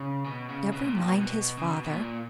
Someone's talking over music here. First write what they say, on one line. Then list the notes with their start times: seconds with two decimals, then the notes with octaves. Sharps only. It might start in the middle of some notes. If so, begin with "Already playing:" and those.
"Never mind his father."
Already playing: C#3
0.26 B2
0.50 C#3
0.73 B2
0.85 A#2
0.97 G2
1.09 B2
1.21 B2
1.58 C#3
1.68 B2
1.85 B2
1.92 A#2